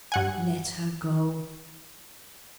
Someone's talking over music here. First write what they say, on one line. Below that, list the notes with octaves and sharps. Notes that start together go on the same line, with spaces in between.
Let her go!'
G2 F#5 G#5